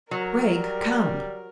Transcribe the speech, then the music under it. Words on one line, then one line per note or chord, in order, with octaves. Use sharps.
"Gregg, come."
F#3 A#4
G3